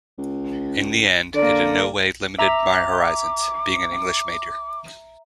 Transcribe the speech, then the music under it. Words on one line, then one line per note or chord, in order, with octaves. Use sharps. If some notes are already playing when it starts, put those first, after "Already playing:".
In the end, it in no way limited my horizons, being an English major.
C#2
D3 A#3 D5
E5 A#5 D6